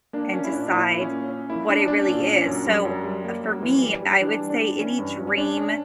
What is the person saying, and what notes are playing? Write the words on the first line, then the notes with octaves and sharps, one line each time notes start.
and decide what it really is, so, uh, for me, I would say any dream
A#3 D4
A#3 C#4
E4
A#2 D4
D4
A#2 E4
A#2
C#4
A#3
C#4
A#3 E4
C#4 D4
C#4 D4
A#2
C#4
F#2
G3
F#2
G3
A#3
F#2
E3
G3
G3
E3 D4
G3
D4
G3
E3 C#4
G2
G2
C#4
C#4 D4
C#4